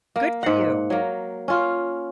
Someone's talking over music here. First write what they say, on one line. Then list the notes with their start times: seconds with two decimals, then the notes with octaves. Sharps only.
Good for you.
0.16 A#3
0.43 G#2 F#5
0.90 F#3 A#3
1.48 C#4 F4